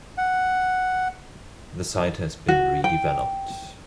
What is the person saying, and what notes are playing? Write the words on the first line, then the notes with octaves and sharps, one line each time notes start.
The site has been redeveloped.
F#5
F#4
G5